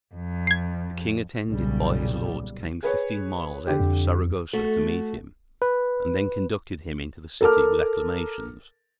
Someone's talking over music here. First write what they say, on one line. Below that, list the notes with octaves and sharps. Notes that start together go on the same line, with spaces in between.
The king, attended by his lords, came fifteen miles out of Saragossa to meet him, and then conducted him into the city with acclamations.
F2
G#6 C7
B1 A#2 C#3 G3
G#4 B4 C#5
D3 G4
F2
A3 F#4
B4
A4 A#4 A5 D6 F6